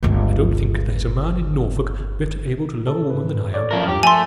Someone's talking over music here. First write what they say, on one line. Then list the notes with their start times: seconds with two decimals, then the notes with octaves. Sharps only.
I don't think there's a man in Norfolk better able to love a woman than I am.
0.03 G1 C#2
2.87 A4
3.10 G#2 B4
3.54 A4 C#5 D5
3.71 F#2 F3 A#4
3.88 E2 G2 G4
4.03 F3 A3 G#5 C6